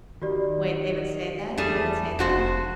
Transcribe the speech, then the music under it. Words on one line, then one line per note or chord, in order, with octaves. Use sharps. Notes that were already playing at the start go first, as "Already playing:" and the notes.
Wait, they would say that? They would say that?
D#3 F#4 G4 D5
E2 G3 A3 G#4 A6 E7
F1 F2 F#4 C5